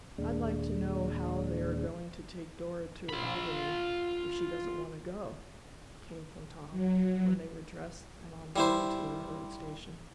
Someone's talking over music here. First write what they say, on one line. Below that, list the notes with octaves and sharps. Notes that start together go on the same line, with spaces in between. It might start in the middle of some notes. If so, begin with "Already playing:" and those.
"I'd like to know how they are going to take Dora to Albany if she doesn't want to go?" came from Tom, when they were dressed and on their way to the railroad station.
D#2 A#2 G#3 D4
F4 B5
F#3
G3 E4 C5